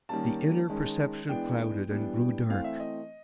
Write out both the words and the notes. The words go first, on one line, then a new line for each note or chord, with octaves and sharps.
The inner perception clouded and grew dark.
D#3 G3 A#3 C#4 A5
D#3 G#3 C#4
E3 G#3 B3 D4 G5
E3 G3 B3 D4
E3 A3 C4 F5
E5
D#5